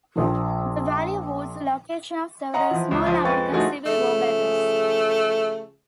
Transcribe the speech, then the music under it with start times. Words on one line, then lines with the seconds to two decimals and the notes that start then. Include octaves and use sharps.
The valley was the location of several small American Civil War battles.
0.16 A#1 A#2 F3
2.54 D#5 F#5 A#5 C6
2.71 E3 F3
2.91 C#2
3.06 F3
3.24 F2 G#3 B4 F5 C#6 A6
3.51 D3 F3 A3 D#4 F#4 G#4
3.85 C#3 F3 A3 G#4